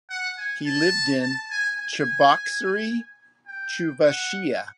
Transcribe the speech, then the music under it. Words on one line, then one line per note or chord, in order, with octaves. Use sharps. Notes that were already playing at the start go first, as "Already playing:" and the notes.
He lived in Cheboksary, Chuvashia.
F#5
G#5
A5
A5
G#5
G#5
G5
F#5